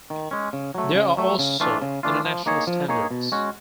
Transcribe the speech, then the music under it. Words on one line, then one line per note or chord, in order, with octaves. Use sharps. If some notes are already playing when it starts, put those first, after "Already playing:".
There are also international standards.
D#3
G#3 C#4
C#3
F#3 A3
C#3
F#3 A3
C#3
E3 A3 D4 F4
C#3
E3 A3 D4 F4
F3
A#3 D#4 G#4 C#5
F3
A#3 D#4 G#4 C#5
B2
G#3 C#4 F#4